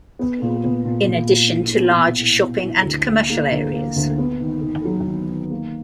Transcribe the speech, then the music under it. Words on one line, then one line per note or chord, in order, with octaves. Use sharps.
In addition to large shopping and commercial areas.
B3
A#2
B3
A#2
A#2
A#2
E4
B3
B2
E4
B3
E4
D2
A#3
A#3
D3
A#3
D2
B3
D#3
D#3
F#3
D#3
D#3
A#3